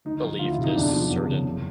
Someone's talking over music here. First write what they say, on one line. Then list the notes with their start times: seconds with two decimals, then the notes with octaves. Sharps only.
believe this certain
0.05 D2 D#4
0.23 F3
0.39 D2 F4
0.52 E4
0.58 C3
0.64 D#4
0.75 E2 D4
0.93 F3
1.10 E2
1.27 C#3
1.45 F#1